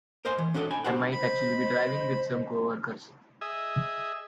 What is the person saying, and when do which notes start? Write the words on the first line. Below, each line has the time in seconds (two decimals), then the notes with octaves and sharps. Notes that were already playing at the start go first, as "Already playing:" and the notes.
I might actually be driving with some coworkers.
0.25 A#4 C5 D#5 G#5 C6
0.38 E3
0.54 C#4 D4 F#4 A4 D#5
0.71 G5 G#5 B5
0.84 D4 F#4 G4 C5 F#5
1.12 C5 D#5 B5
3.41 G#4 D#5 E5